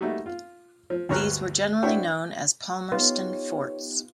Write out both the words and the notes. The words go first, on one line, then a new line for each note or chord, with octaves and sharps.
These were generally known as Palmerston Forts.
G3 A3 A#3 D#4 F#4
F4
F3
D2 G2 C#5 A#5 F6 F#6
C4 D4 E4 F#4 C#5 G5
B3 D#4 F4 G4 C#5